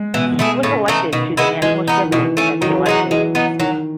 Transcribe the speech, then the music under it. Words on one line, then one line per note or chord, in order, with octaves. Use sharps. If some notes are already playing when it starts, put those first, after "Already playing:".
She was elected to the National Assembly at the election.
Already playing: G#3
B2 E3
A3 E4 G#4
A2 C#3
E3 A3 D#4
B2 D#3
G#3 B3 E4
E3 G#3
B3 D#4
D#3
B2 E3
A3 C#4
D#3 F#3
E3
F#3
G#3 D#4 F#4
E3 G#3
B3 D#4
D#3 F#3